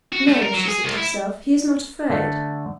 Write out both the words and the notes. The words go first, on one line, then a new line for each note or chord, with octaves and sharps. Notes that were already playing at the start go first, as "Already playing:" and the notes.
"No," she said to herself, "he is not afraid."
F#4
A3
A#4
F#3
G#4
C2
E4
D3 A3